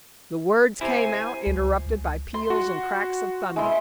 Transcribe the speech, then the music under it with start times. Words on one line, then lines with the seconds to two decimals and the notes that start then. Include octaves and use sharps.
The words came out, interrupted by peals and cracks of thunder.
0.81 C3 E4 C5 G#5
1.46 C#2
2.34 C6
2.50 F#4
3.56 G#3 E4 C6